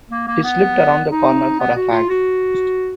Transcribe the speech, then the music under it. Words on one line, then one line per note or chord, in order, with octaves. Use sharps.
He slipped around the corner for a fag.
A#3
A#3
B3
D#4
B3
F#4
F4
F#4